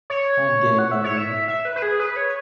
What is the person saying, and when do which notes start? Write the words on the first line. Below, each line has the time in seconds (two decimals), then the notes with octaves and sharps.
I gave her a look.
0.10 C#5
0.79 F#5
0.91 E5
1.04 C#5
1.17 E5
1.48 E5
1.65 B4
1.76 B4
1.82 G#4
2.00 B4
2.16 C#5